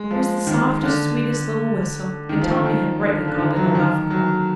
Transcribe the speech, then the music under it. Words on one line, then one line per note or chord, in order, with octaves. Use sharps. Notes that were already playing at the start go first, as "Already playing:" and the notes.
It was the softest, sweetest little whistle, and Tommy had rightly called it a love call.
Already playing: G#3
F3
D#3
D3
D#3
F3
D#3
D#3
D3
D3
D#3
F#3
F3
D#3
F#3